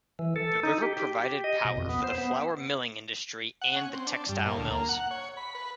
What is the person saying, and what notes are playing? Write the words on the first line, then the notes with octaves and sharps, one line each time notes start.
The river provided power for the flour milling industry and the textile mills.
E3
A4
D#4
G4
G4
G4
D#5
B2
F2
B3
C5
B3
F#5
C#4
C4
D4
G2
A#2
D2
A#3
F#5
C#5
B5
B4